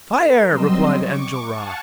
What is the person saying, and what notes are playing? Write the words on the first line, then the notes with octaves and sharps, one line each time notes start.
"Fire!" replied Enjolras.
A#4
F#3 G3 C4 D#5 C6 E6
C#6 D6
F5 F#5 G#5 A5 C#6